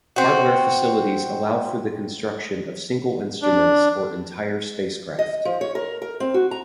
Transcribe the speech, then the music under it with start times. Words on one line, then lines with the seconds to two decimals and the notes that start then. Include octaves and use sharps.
Hardware facilities allow for the construction of single instruments or entire spacecraft.
0.16 C4 F#4
3.42 D4
5.19 D#5
5.45 F3
5.61 C#5
5.75 A#4
6.02 A#4
6.20 C4
6.34 F#4
6.51 A#5